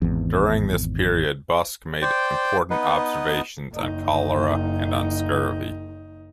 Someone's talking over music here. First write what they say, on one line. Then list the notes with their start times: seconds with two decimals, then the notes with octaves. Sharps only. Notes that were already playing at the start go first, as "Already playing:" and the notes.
During this period Busk made important observations on cholera and on scurvy.
0.02 G#1 E2
2.02 C5 D5 G5
2.70 B3 D#4 B4 D#5
3.72 F#1 D#4